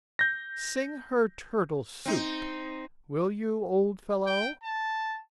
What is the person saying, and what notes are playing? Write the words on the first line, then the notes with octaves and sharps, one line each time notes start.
Sing her "Turtle Soup," will you, old fellow?'
G6 A#6
C4 D#4
G5
A5